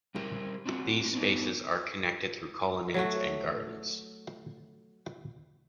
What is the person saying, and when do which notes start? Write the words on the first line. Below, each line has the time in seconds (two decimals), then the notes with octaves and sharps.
These spaces are connected through colonnades and gardens.
0.15 G3 G4 A#4 C5
0.66 C4 D4 F#4
1.13 B3 D4 D#4
2.94 F#3 A3 F#4